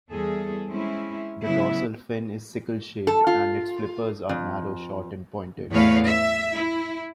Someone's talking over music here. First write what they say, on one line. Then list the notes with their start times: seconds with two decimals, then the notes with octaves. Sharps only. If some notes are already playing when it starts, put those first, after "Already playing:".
The dorsal fin is sickle-shaped and its flippers are narrow, short, and pointed.
0.11 E2 G3 G#4 A4
0.68 G#3 C4 C#4 E4
1.44 C#3 F#3 B3 E4
3.07 A4
3.27 F4
4.29 F2
5.71 E2 A2 A3 B4 C#5 F5
6.05 E5
6.55 E4